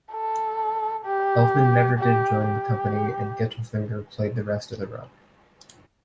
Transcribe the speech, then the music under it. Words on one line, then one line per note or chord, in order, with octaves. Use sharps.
Elfman never did join the company and Gettelfinger played the rest of the run.
A4
G4
G4
G4